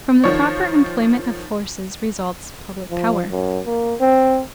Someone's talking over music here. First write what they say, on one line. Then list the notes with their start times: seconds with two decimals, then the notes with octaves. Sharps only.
From the proper employment of forces results public power.
0.24 D#3 F3 C#5
2.90 F3
3.30 F#2
3.66 A#3
4.00 C4